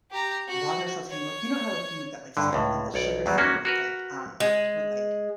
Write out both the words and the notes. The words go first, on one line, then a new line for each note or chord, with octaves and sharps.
while they're sauteing, like you know how, like, you make that, like sauce, like, the sugar syrup with, like, um, with, like,
G4 A#5
F#4
C#5
G2 D3
C#2 A2
B1 C#5 D5
E2 F#3 G3
A#3 C#4 F#4
F#4 A#4 B4
G#3